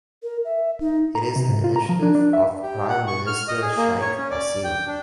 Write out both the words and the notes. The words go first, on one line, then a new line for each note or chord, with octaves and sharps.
It is an initiative of Prime Minister Sheikh Hasina.
A#4
E5
D#4
A#5
C3
G#2
F4
A#5
F3
D4
D4
E5
G4
F#5
C#6
F6
D#5
G#4
A#3
C#5
C#4
D5
G5
D4